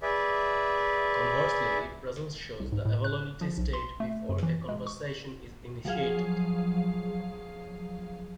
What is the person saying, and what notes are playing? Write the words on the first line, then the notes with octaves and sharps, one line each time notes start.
Conversely, Presence shows the availability state before a conversation is initiated.
G#4 B4 D5 E5
C2
G#2
A2
F#6
F3
B1
C6
A3
F#2
E3
G#3
C#6
F3 F#3 G#4 F5